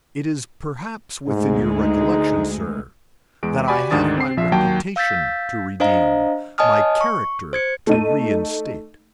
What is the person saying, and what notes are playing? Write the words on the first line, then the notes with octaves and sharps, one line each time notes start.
"It is perhaps within your recollection, sir, that I have my reputation to redeem, my character to reinstate."
D2 G#2 G#3
D#4
E2 G#3 D7
F#4 G4 D5 G#5 B5
D2 G#2 D#3 D4 D#6 A6
C4 C7
A#1 F3 E5
D#2 F#3 A#3 G5 A5 G6
F5 E6 G6 A6 B6
D4 C5 D#5 F5 A#5
C#5 D#5 G#5 A5 D#6 F6
C#6
C5 G#6 C#7
A3 D#4 D#7